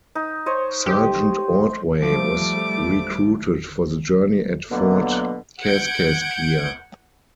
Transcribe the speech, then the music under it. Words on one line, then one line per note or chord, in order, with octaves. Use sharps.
Sergeant Ordway was recruited for the journey at Fort Kaskaskia.
D#4
C5 C#5 D#5
G4
F3 G3 A3 D6
B2 D3 F#3 A#3 B3
F#5 G6 G#6 D7